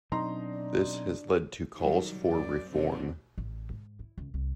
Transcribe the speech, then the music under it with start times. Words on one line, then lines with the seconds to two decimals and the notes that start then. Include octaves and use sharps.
This has led to calls for reform.
0.12 B2 F#3 C4 D4 D#4 D5 A#5 C6
1.76 D#3 F#3 G3
2.21 F#2 D5
2.71 B2 D3 C4
3.38 A1
3.70 G#2
3.99 E4
4.18 C#2
4.34 C2